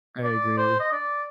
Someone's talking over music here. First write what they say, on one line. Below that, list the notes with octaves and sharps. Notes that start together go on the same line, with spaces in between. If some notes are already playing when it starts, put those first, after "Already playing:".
I agree.
D5
C5
D#5
D5